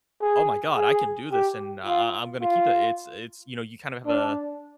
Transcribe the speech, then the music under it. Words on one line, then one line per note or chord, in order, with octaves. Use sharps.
"Oh my God, I can do this and I I I'm gonna keep it." It's it's, you know, you kinda have a
G#4
G#4
G4
F4
F4
D4